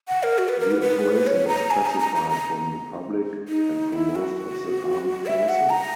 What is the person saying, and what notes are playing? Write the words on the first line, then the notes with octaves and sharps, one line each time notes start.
The operation was classified from the public and from most of the armed forces.
F#5
A#4
F#4
B4
A#4
B4
B4
C#5
A#5
G#5
A#5
A#5
A#5
A#5
D#4
E4
F#4
E5
F#5
A#5